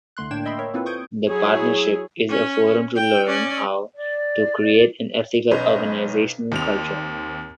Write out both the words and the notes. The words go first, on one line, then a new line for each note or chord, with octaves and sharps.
The partnership is a forum to learn how to create an ethical organizational culture.
C2 D3 A3 C6 F#6
A2 A#3 D4 G5 G#6 E7
D#5 E5 G5 B5 C6
A#4 C#5 E5
A#3 C4 E4 F4 A4 B4
C#6 D#6 G6 G#6 D7
F#3 E4 G#4 C#5
C#4
G5
C#4 D5
D5
B1 C#4 B4 C5 D#5
D#2 C4 F7